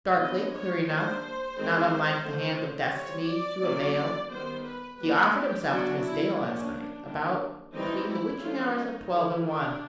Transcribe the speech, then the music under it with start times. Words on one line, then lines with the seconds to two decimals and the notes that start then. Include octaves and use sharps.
"Darkly: clear enough: not unlike the hand of destiny--through a veil. He offered himself to Miss Dale last night, about between the witching hours of twelve and one."
0.18 F3 G#3 B3 D4 D#5
0.53 C#5
0.87 G3 A#3 D4 C5
1.56 D#3 G#3 C4
2.24 D3 F3 A3 C4
2.93 G3 C4 C#5
3.27 D5
3.62 F#3 A#3 C#4
4.30 D#3 G3 B3 C5
4.65 B4
4.99 G3 A#3 D4 B4
5.34 G4
5.68 F#3 B3 D4 F#4
6.03 E4
6.36 F3 A#3 C#4 D4
7.05 D#3 G3 A#3 D4
7.74 E3 G3 C4 D#4
8.09 E4
8.42 F3 A3 C#4 F4
8.77 D#4
9.11 D3 F3 A3 E4
9.46 D4